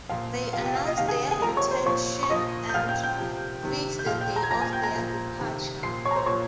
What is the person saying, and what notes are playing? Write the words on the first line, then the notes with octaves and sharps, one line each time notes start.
They announce their intention and fix the day of their departure.
A#2 F3 F5
C3 F3 F5
G4 G5
F5
D#5
C3 D#3 F5
G#4 G#5
G#4 G#5
C3 F3 A#4 A#5
C#5 C#6
C5 C6
A#2 F3 C#5 C#6
C#6
A#2 F3 D#5 D#6
G6
A#2 F3 F5 F6
G5 G6
G5 G6
C3 F3
C3 D#3
G6
A#2 F3 F5 F6
G5 G6
A#5 A#6
G#6
A#2 F3 A#5 A#6
G#5 G#6
G5 G6
A#5 A#6
A#2 F3
C3 D#3
A#2 F3 C6 C7
C#5 C#6
A#5
C5 C6
A#2 F3 C#5 C#6